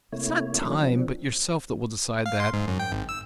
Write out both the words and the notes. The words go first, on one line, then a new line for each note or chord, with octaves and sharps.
It's not time, but yourself that will decide that.
C3 A3 A#3 E4 C#5
E3 F#3 A3 A#3 C#4 D4
F3 C4 D4
F5
C6
G#2
F#2
G5
G#1
E6